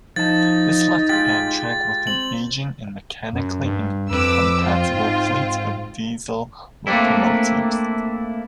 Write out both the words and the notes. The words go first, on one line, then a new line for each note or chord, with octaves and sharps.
This left Amtrak with an aging and mechanically-incompatible fleet of diesel locomotives.
F3 D#4 A5 A6
G#3 F4 G4 A6
C4 F#7
F#2
G2
F2 B4 D6 E6
C4 F4
G#2
A3 A#3 C4 D4 E4